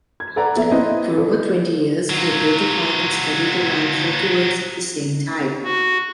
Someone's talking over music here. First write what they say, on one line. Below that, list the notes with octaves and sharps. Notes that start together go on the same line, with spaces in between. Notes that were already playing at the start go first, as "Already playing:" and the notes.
For over twenty years, he identified and studied around thirty works of the same type.
G#6
A4 B4 D5 F#5 A#5
A#1 B3 A4 E5
C4 E4 B4 D#5
D3
F#3 F4
F#4